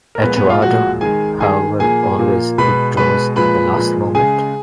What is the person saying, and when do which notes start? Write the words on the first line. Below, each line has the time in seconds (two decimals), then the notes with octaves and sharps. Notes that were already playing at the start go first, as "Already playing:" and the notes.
Eduardo however always withdraws at the last moment.
0.15 A#4
0.23 A#2 F3 G#3 B3 B4
0.36 B3 B4
0.49 F4 F5
0.62 A#2 F3 G#3 F#4 F#5
1.01 D#3 G#3 G#4 G#5
1.41 D#3 G#3 G#4 G#5
1.80 A#2 F3 A#3 G#4 G#5
2.19 A#2 F3 A#3
2.58 B2 G#3 B4 B5
2.97 B2 G#3 B4 B5
3.36 A#2 F3 G#3 B4 B5
3.76 A#2 F3 G#3
4.15 C#3 G#3 G#4 G#5